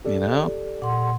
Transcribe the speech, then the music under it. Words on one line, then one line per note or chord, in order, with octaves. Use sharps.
you know?
G4 A4 D5
A#2 F#5 C6